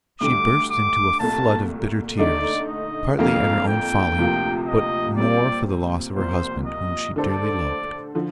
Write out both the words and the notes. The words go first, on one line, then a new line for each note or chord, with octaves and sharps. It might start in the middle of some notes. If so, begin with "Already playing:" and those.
She burst into a flood of bitter tears, partly at her own folly, but more for the loss of her husband, whom she dearly loved.
D2 D3 G3 D6
D6
C2 A#2 A3 A5
D3 A3 D#4 D5
D#5
F2 D3 F3 A#3 F5
G5
D2 C3 F3 A#3 F4
D#5
A#2 G3 C4 D5
C2 A#2 F3 C5
D#5
D3 A3 D4 A4 C5 D5
D3 F3